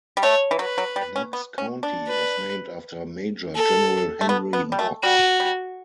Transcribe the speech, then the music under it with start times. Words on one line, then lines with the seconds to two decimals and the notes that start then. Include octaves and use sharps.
Knox County was named after Major General Henry Knox.
0.17 G3
0.23 A3 C#5
0.51 E3
0.59 F#3 B4
0.78 F#3
0.96 G3
1.16 C#4
1.33 B3
1.58 C#4
1.83 D4
2.08 B4
3.55 A4
4.21 A3
4.29 B3
4.53 B3
4.72 G3
4.79 A3
5.03 G3 F#4
5.40 G3